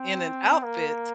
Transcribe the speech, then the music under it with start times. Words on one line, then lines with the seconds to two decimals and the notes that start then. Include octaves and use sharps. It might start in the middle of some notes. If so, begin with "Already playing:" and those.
in an outfit
Already playing: C4
0.64 A#3